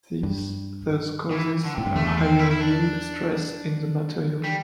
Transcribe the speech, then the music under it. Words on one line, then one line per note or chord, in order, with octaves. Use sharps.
This thus causes a higher yield stress in the material.
G2
E3
D3
A2 C3
G2
E2 A3
C4
E4
E4
D4
G3